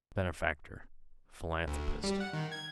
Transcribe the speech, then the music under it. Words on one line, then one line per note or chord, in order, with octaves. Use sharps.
Benefactor; philanthropist.
D2
G3
F#5
D#3
G#6